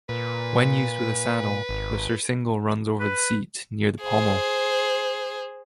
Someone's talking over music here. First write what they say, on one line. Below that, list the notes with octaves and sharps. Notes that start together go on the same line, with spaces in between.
When used with a saddle, the surcingle runs over the seat near the pommel.
A#2 B4
G#1
B4
G#4 C5